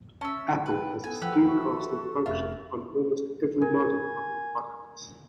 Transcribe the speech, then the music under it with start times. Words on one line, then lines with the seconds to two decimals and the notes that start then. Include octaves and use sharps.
Apple has a screencasting function on almost every model of their products.
0.21 C#4 E5 A5
0.66 B4 G5
1.04 B3 A4 G#5
1.21 F3 G4 B4 E5 F#5 F#6
1.47 F#4
2.26 F1 C3 F4 A#4 E5
3.62 A#4 G#5